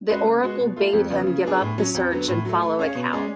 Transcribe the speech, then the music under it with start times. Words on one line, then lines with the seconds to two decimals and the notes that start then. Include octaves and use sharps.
The oracle bade him give up the search and follow a cow.
0.09 G#3 C#4 F#4 B4
0.26 C#3
0.43 G#3 B3 F#4
0.60 B2
0.76 A3 F4
0.93 F2
1.10 C#3 F3 B3
1.27 C#3
1.44 F#3 B3 D4 G#4
1.61 A2
1.78 F#3 C#4
1.94 F2
2.11 D3 F#3 B3
2.28 A2
2.45 F#3 A3
2.62 A3
2.79 C#4 G#4 C#5 F5
2.95 B2
3.12 G#3 C#4 G#4 D5